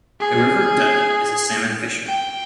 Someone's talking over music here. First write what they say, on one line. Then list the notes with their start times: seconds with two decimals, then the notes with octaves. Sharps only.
The River Duddon is a salmon fishery.
0.20 G#4
2.07 G5